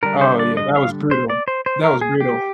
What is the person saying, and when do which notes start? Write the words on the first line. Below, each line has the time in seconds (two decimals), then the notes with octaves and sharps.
Oh, yeah, that was brutal. That was brutal.
0.03 D3 G3 D4 A#4
0.21 C5
0.39 D5
0.57 D#5
0.76 F5
1.11 C5
1.30 D5
1.48 C5
1.66 C5
1.84 A#4
2.01 G#4
2.21 G4